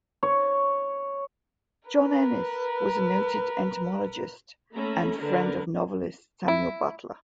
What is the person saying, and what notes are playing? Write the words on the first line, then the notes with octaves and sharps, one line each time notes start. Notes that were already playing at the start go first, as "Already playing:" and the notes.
John Enys was a noted entomologist, and friend of novelist Samuel Butler.
C#5
A#4 B4
A3 A#3 C#4 A4 A#5 B5
D3 A#4 B4
E4